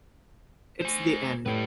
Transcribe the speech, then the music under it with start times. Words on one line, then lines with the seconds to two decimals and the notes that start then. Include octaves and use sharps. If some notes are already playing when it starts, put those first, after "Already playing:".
It's the end.
0.82 C5 G#5
1.46 A2 G4 B4